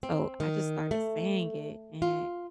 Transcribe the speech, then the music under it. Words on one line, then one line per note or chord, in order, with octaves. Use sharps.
So I just started saying it, and
C4
D#3
A3
F4